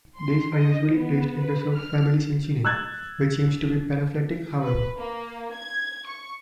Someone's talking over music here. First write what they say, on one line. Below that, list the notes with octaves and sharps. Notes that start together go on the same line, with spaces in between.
These are usually placed in the subfamily Scincinae, which seems to be paraphyletic however.
C6
D#5
B3
B4
F6
E6 F#6 G#6 A6
B4
A#3
G#6
C#6